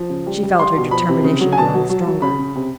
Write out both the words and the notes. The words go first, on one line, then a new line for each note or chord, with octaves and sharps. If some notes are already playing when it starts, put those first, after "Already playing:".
She felt her determination growing stronger.
Already playing: F3
C#3
G3
G3
G3 C6
B2
F3 B5
C3
C#3
F#3
G#5
B2 A5
F#3
F#3
F#3
C#3 B5
C#3
C3